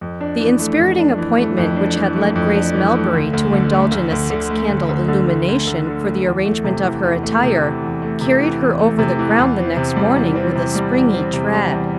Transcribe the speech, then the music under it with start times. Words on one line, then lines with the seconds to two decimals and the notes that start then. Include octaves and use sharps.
The inspiriting appointment which had led Grace Melbury to indulge in a six-candle illumination for the arrangement of her attire, carried her over the ground the next morning with a springy tread.
0.01 F2
0.21 D4
0.40 E3
0.59 A3
0.79 F2
0.98 D4
1.18 E3
1.38 A3
1.58 F2
1.76 D4
1.96 E3
2.16 A3
2.35 F2
2.55 D4
2.74 E3
2.94 A3
3.13 D2
3.33 D2
3.53 D3
3.73 A3
3.92 D2
4.12 D2
4.30 D3
4.50 A3
4.70 D2
4.89 D2
5.08 D3
5.29 A3
5.48 D2
5.67 D2
5.87 D3
6.06 A3
6.26 E2
6.45 A3
6.64 C3
6.84 E3
7.04 E2
7.23 A3
7.43 C3
7.63 E3
7.82 E2
8.02 A3
8.21 C3
8.40 E3
8.61 E2
8.79 A3
8.98 C3
9.19 E3
9.38 E2
9.58 C4
9.77 C3
9.96 G3
10.16 E2
10.35 C4
10.55 C3
10.75 G3
10.94 E2
11.14 C4
11.33 C3
11.53 G3
11.72 E2